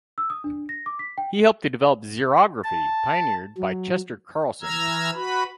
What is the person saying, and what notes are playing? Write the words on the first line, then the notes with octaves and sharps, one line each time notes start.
He helped to develop xerography pioneered by Chester Carlson.
E6
D#6
D4
A#6
D6
B6
G5
A5
F#3
E3 A#5 E6 F6 G#6
F#4 B4 B5